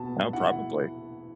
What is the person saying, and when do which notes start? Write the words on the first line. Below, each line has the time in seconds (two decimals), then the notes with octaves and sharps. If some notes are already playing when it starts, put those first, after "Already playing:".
Oh, probably.
Already playing: B2 B3 A5
0.33 E4 F#5